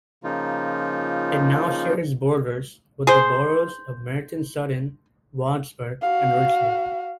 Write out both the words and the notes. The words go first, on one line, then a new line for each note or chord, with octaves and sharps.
It now shares borders with the boroughs of Merton, Sutton, Wandsworth and Richmond.
C#3 F3 A#3 D#4 F4
G#4 C5
F#4 F5